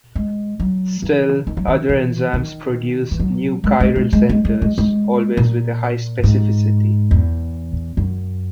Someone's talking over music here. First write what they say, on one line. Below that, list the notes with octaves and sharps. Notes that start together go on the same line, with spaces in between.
Still other enzymes produce new chiral centers, always with a high specificity.
G#3
F#3
E3
D#3
F#3
D#3
E3
D#3
E3
F#3
G#3
G#3
G#3
G#3
G#3
G#3
G#3
G#3
A#2
G#2
E2
F#2